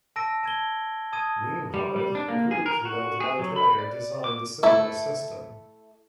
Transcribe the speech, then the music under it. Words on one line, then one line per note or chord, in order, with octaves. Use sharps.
Meanwhile, a group led by Dreyer designed a similar system.
A5 E6 A#6 D7
A5 G#6 G7
A5 D#6 G#6 D#7
G3
G3
D4
A#3
G#4
A#4
F#4
G#4
F#3
B5
D5
D6
A3 E4 A4